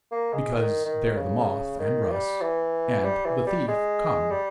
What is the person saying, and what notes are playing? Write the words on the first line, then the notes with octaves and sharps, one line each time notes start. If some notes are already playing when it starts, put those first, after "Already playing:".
"Because there the moth and rust and the thief come."
A#3
G#3
D#3
D#3
C#3
D#3
G3
E3
G3
E3
G3
G#3
G3